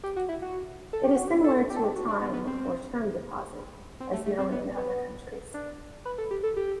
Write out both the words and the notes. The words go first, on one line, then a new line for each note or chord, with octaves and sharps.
It is similar to a time or term deposit as known in other countries.
G4
F#4
E4
F#4
A4
G4
F#4
G4
A4
G4
A4
G4
F#4
D4
B3
B3
C4
C4
A3
A3
C4
B3
B3
D4
B4
A4
G4
A4
G4